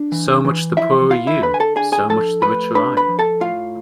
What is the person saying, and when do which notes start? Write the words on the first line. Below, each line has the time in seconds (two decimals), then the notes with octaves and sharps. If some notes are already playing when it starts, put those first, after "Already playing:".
So much the poorer you; so much the richer I!
Already playing: D4
0.12 E3
0.45 E3
0.77 F3 E4 E5
1.10 E4 F4 F5
1.27 E4 E5
1.43 D3 B4 B5
1.54 G#5
1.60 A4 A5
1.76 D4 G#4 G#5
1.92 G#4 G#5
2.09 F3 A4 A5
2.42 A3 B4 B5
2.75 D4 B4 B5
2.97 B4 B5
3.09 F3
3.19 A4 A5
3.40 A2 F4 F5